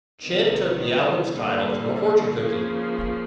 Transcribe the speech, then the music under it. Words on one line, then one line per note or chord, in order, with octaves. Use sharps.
Chinn took the album's title from a fortune cookie.
C3 D#3 G3 B3
D3 G3 A#3
C#3 F3 A#3